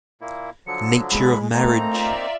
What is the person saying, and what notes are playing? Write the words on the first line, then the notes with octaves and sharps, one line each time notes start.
Nature of marriage.
A#2 A#3 E4
D3 F3 F#3 C#7
G#3 B5
A3 A#3 C4 D#4 A#5
F4 D5 E5